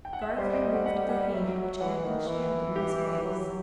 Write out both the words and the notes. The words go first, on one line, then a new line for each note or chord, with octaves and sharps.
Garth removed the hand which had been shielding his face.
G5
F#5
E5
D#5
G3 C5
D#5
D#5
F#5
F#5
F#5
F#3 E5
E3 F#5
D#3
E3
G4
F#3
F#3